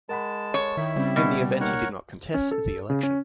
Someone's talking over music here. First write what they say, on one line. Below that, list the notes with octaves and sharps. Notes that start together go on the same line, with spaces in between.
In the event he did not contest the election.
G#3 A#4 F#5 A5 B5
C#5
D#3 E4 E5
C#3 G3 C4 C#4
B2
A#3 D#4 A#4 C#5 F#5
C#4
A4
C#3
C#4